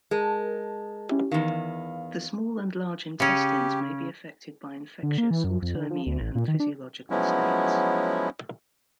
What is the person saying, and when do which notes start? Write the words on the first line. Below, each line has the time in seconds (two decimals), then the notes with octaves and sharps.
The small and large intestines may be affected by infectious, autoimmune, and physiological states.
0.11 G#3 G#4 A#4 A5
1.09 C#4 E4 G4
1.32 E2 D#3 F5
3.20 C#3 C#4 G4
5.03 D3
5.18 A#3
5.31 E3
5.44 F#2
5.62 F2
5.75 D3
5.90 F3
6.07 D2
6.20 A1
6.35 A#2
6.48 D#3
6.60 D4
7.10 F3 F#3 G#3 B3 C#4 E4